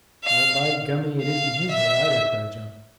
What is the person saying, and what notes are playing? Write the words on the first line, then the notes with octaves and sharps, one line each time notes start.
"Well, by gummy, it isn't his head either!" cried John.
F5
F5
E5